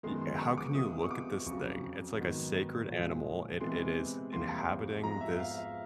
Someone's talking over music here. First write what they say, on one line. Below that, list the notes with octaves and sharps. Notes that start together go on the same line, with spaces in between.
eh, how can you look at this thing? It's like a sacred animal, it it is inhabiting this
F#2 D#3 G#3 B3 C6
C6
C#6
D6
C3 F3 G#3 B3 D#6
C#6
D6
F2 C#3 F#3 C#6
G#2 D#3 F#3 B3
A#2 F3 G#3
C3 E3 G#3 B3 C6
F2 C3 E3 G3 A#3 C6
G#2 F3 G#3 B3 A#5
E5
F5
F5
E5